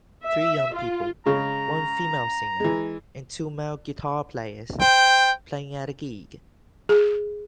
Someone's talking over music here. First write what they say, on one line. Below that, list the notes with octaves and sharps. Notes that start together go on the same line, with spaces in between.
Three young people, one female singer and two male guitar players, playing at a gig.
E5
F4
C#3 G#3 A#5
E3 G#3
C5 G5
G#4